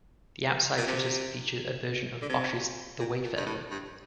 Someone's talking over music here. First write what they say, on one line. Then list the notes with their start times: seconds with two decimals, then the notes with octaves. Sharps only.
The outside shutters feature a version of Bosch's "The Wayfarer".
0.78 A#2
0.87 C3
2.22 D3
2.29 C3
2.99 A#2
3.23 A#2
3.37 G2
3.46 A2
3.70 G2